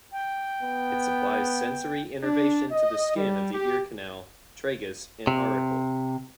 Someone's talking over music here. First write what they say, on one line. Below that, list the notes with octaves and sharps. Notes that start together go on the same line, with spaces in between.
It supplies sensory innervation to the skin of the ear canal, tragus, and auricle.
G5
B3
D4
D#5
G3
G4
C3